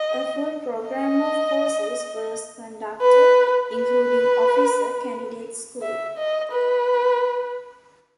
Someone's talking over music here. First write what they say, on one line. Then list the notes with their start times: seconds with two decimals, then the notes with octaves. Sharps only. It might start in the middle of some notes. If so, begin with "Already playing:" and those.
A full program of courses was conducted, including Officer Candidate School.
Already playing: D#5
0.90 D#5
3.01 B4
3.70 B4
5.82 E5
6.17 D#5
6.52 B4